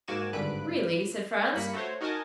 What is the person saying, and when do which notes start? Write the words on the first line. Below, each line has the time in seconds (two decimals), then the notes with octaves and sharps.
"Really?" said Franz.
0.08 G#2 A#3 F#4 G#5 D6 E7
0.33 G#1 G2 D3 B4 F#6 D7
1.54 G2 A#3 B5 C#7
1.74 A3 F#4 C5 C#5
2.01 D#4 F#4 A#4 D#5 G#5 A5